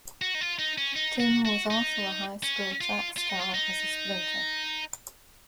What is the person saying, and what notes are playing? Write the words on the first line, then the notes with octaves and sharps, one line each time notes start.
Tim was also a high school track star as a sprinter.
F#4
D#4
F4
D#4
C#4
D#4
F#4
F#4
D#4
C#4
F4
F4
D#4
F4
D#4